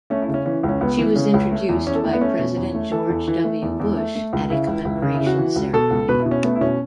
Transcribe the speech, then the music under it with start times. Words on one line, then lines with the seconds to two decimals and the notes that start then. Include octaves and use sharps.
She was introduced by President George W. Bush at a commemoration ceremony.
0.10 A3 C#4
0.22 E4
0.28 C#3
0.34 C#4
0.46 E3 C#4
0.63 C#2
0.69 C#4
0.81 C#2 B3
0.98 E3
1.16 C#3 C#4
1.34 C#2
1.51 A3
1.69 E2
1.87 E2 C#4
1.95 A4
2.04 A3 E4
2.13 B3
2.21 A3 C#4
2.39 B2
2.57 E2
2.74 A3
2.92 E3 A4
3.09 E2
3.28 E3
3.44 A3
3.62 E2
3.80 E2
3.97 A3
4.15 A3
4.33 C#2
4.50 C#3 E4
4.67 C#2
4.85 C#2
5.02 C#3
5.15 E4
5.20 C#3
5.26 F#4
5.38 E3
5.56 C#2
5.73 B2 A4
5.91 C#2
6.09 B2 B4
6.20 E4
6.26 B2
6.31 C#4
6.43 A3 B3
6.55 E4
6.61 B2 C#4